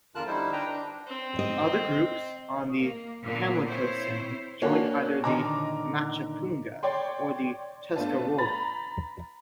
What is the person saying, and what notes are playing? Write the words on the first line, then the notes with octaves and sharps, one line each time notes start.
Other groups on the Pamlico Sound joined either the Machapunga or the Tuscarora.
E2 D3 F4 A#4 A5 F#6
D3 G3 D#4 E4 C5
D4 B4 G5 A#5
D4
C4
D#5
A#3
A#2 D3 A#3 B3
C4 E4 C5 C#5
A#3 C#4 D4 F#4
A#2 D3 D#3 A#5 D6
C#5 D5 G5 C6
A3 B3 D4 F4 A5
A#5 B5 A6